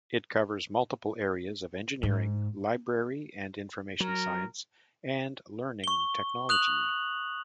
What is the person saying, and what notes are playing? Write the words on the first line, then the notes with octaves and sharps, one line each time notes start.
It covers multiple areas of engineering, library and information science, and learning technology.
G#2
F#3 A#4
C#6 G7
D#6 F#6 F7 F#7